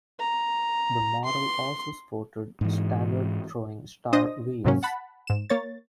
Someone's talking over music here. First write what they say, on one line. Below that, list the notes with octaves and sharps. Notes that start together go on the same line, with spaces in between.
The model also sported staggered throwing star wheels.
A#5
C6
G#2 E3
D4 C5 D#5 D#6 A#6
E2 G#2 C3 F#3 A#3 C#4
F#5 A5 B5
G#2 E7
A#3 C#5 A6